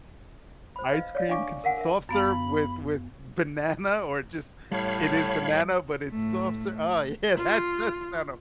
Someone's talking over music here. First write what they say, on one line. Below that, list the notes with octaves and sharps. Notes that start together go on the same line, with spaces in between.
Ice cream consists of soft serve with with banana or just it is banana, but it's soft serve oh, yeah. That does sound o
C5 B5
B4 D#5 F5
C#5 D5 F5
D4 E5 F5 G#5 C#6 D6
A#4 F5 F#5 G#5
A#4 E5
F#2 B3 F5 B5
A2 G3 C#5 F5 B5
A2 A3
F4